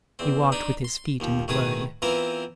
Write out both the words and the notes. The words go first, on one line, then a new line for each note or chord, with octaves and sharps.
He walked with his feet in the blood.
E2 C4
D4 D#4 B5
C6
D#2 F3
A2 D#3 F#4 G#4 B4 D#6
E3 B3 C4 F4 A#4 C5